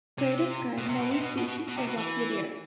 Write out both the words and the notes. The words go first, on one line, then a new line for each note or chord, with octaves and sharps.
Gray described many species of Lepidoptera.
C3
B2
C3
B2
C3
B2
B2
B2
B2
C3
B2
E3